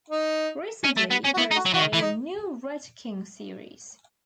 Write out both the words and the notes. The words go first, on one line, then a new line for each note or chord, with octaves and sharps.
Recently there is a new "Red King" series.
D#4
C#4
A3
B3
C#4
F#4
B3 E4
D#4
F#4
F#3
E3 F#4
D#3
E3 E4
D#4